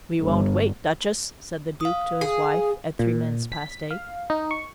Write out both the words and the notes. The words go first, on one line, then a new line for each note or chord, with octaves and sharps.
"We won't wait, Duchess," said the Duke to his wife at three minutes past eight.
G1
F5 D#6
G#4
A#2
B6
F5
D#4
C#6